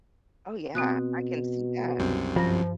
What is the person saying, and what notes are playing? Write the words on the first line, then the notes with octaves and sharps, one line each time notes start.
Oh, yeah. I can see that.
B2 C4 D#6 F#6
C2 F#2 C3
G2 F3 A#6